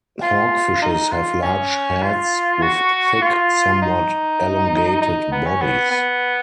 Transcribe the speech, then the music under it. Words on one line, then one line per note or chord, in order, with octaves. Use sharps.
Hawkfishes have large heads with thick, somewhat elongated bodies.
F4
D#4
F4
C#4
F4
F#4
F4
D#4
D#4
B3
C#4
B3
B3